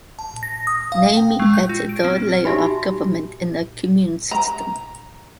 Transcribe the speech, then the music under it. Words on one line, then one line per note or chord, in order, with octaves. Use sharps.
Niamey has a third layer of government in the Commune system.
A5
A#6
D#6
F5
G5
G#3
G6
F4
D7
C4
D#4 F#4 G4 E5 G#5 B5
A#5